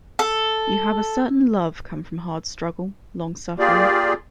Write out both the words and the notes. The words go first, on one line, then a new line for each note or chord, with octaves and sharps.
You have a certain love come from hard struggle, long suffering.
A4
A#3 F4 G4 G#4 D5